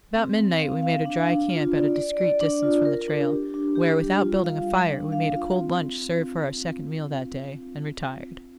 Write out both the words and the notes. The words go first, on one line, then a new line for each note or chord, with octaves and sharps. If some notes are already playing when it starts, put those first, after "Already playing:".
About midnight we made a dry camp at a discreet distance from the trail, where without building a fire we made a cold lunch serve for our second meal that day, and retired.
C4
C4
F5
F5
D4
D4
F4
D5
D5
D5
D4
F4
A#4
D4
G4
D4
G4
G3
F4
F5
G3
D4
F5
F4
C4